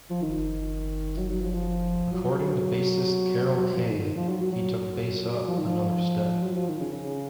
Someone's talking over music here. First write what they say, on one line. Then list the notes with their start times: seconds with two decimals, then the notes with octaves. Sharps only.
According to bassist Carol Kaye, He took bass up another step.
0.10 F3
0.22 D#3
1.18 F#3
1.30 F#3
1.42 F3
1.50 F#3
1.54 F3
2.13 F#3
3.56 F#3
3.73 F3
3.89 D#3
4.04 D#3
4.17 F3
4.29 F#3
4.41 F#3
4.52 F#3
5.48 F3
5.58 D#3
5.66 F3
6.44 F#3
6.56 F3
6.68 D#3
6.80 C#3
6.92 C#3